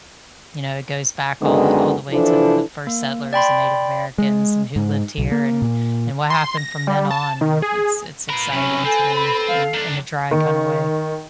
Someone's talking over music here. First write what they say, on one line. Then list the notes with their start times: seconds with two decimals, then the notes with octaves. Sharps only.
you know, it goes back all all the way to the first settlers and Native Americans and who lived here and and what happened from then on, and it's it's exciting to me in in a dry kinda way.
1.42 F#2 D3 D#3 G#3 B3
2.11 E3 F3 D4 E4 A4
2.87 A#3
3.33 D5 G5 B5 C6
4.18 G#3
4.76 G#2
5.18 B1
5.31 A#3
5.62 A#2
6.30 C6
6.57 A#6
6.87 G3
7.11 A5
7.41 D#3
7.62 G#4
8.30 F4 A#4 B4
8.53 C3 F#3 C#4
8.85 C4 A4 G#5
9.16 B5
9.48 F5
9.74 D#3 D4
10.31 D#3